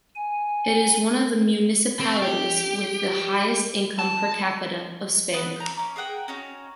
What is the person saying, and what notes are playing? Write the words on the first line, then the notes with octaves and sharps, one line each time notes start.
It is one of the municipalities with the highest income per capita of Spain.
G#5
C4
G4
A5
B3 A4 B4 D#5
A#5 G6
C#4 D6
G#4 A#4 F#5 G5
C#4 D#4 F#4 C#5